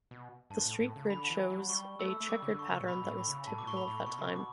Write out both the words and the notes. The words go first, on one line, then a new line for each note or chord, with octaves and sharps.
The street grid shows a chequered pattern that was typical of that time.
B2
G2 A5
A2
A2
C#3
D3 B5
E3
F#3
G3 C#6
A3 E6
A3
G3 D6
C#3
D3
C#6
C#3
A2
B2 B5
G2
A2
B5
C#3
A2 A5
B2 D6
A2 C#6
B5
A2
B2 C#6
C#3
B2
D6